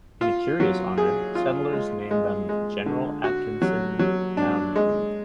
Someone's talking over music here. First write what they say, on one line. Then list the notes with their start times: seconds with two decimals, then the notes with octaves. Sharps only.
In a curious honor, settlers named them the General Atkinson Mound Group.
0.21 F4
0.60 F#3
0.98 G#4
1.35 F4
1.73 G#3
2.11 G#3
2.49 G#3
2.86 D3
3.24 F#4
3.62 F#3
3.99 F#3
4.37 D4
4.76 G#3